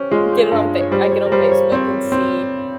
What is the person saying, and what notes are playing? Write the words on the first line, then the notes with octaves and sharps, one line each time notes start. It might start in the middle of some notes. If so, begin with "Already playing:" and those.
Get it on Fa I get on Facebook and see,
Already playing: C#4 G4 C5
G#3 F4
G4
G#4
G2
C#5
G3 C5
C#5
A#4
G3 C5
C#5
C4 C#5
C4